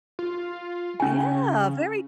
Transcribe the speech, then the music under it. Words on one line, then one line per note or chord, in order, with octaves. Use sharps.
Yeah, very
F4
C#3 C#4 G#5